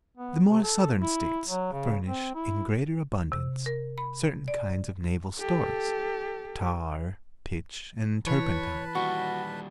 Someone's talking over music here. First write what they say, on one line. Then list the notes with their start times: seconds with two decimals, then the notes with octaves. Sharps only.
The more southern States furnish in greater abundance certain kinds of naval stores--tar, pitch, and turpentine.
0.17 B3
0.49 C3
0.63 A4
1.02 E4
1.47 F#3
1.72 C#3
2.06 C4
2.35 E4
3.32 C3
3.66 A#4
3.98 B5
4.48 D5
5.39 G4 A4
8.26 E3 B4 C#5 A5 B5
8.95 D#2 G3 F#4